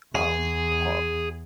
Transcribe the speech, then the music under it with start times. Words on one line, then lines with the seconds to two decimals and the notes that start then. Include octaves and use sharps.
um, uh,
0.15 E2 G#4